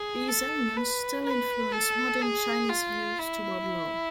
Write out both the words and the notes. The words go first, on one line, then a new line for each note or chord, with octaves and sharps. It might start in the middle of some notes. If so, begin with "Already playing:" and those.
These elements still influence modern Chinese views toward law.
Already playing: G#4
A4
B4
B4
A4
G#4
F4
E4